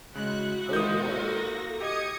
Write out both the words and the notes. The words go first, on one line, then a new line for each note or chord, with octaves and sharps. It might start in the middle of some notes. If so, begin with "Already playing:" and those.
Oh boy.
C#3 G#3 E4 F#4 F#6
G#3 F4 G4 C5 D#6 G6
A#3 A4 A#6
G4 D#5 D#6 G#6 C#7